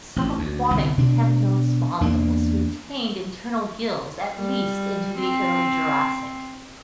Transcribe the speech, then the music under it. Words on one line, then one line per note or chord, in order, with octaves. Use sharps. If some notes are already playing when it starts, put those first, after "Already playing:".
Some aquatic temnospondyls retained internal gills at least into the early Jurassic.
A1
D2
G1 C2
B2 D4
E2 A#3 D4
G3
C4